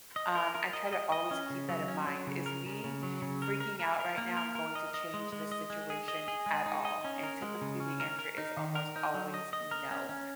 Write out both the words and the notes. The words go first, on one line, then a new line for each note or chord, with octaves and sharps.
um, I try to always keep that in mind, "Is me freaking out right now going to change this situation at all?" And typically, the answer is almost always, "No,"
D#5
A#4
A#4
D#5
D#5
D#5
C#4
C#3
F#3
C#4
F#3
C#3
A#4
C#3
C#3
F#3
C#3
A#4
A#4
A#4
A#4
A#3
A#4
A#4
D#5
D#5
G#3
G#3
D#5
G#3
G#4
D#5
G#4
G#3
D#4
D#5
C#4
A#4
G#3
C#3
C#4
A#4
A#4
D#4
D#3
A#4
D#4
F#3
D#5
D#5
A#4
C#4
C#4